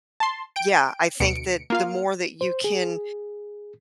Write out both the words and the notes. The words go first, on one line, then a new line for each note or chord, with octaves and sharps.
yeah, I think that the more that you can
A5 C6
G5 D7
D2 B2 C#7 D7
A#3 F4 F5
C5
G#4